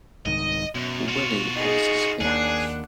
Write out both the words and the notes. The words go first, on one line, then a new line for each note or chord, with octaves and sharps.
Willy exits the house.
C2 G#2 D#3 D#5
F#2 B2
F4 F#4
D#4 G#4
D#2 A#3 D4 G#4 F#5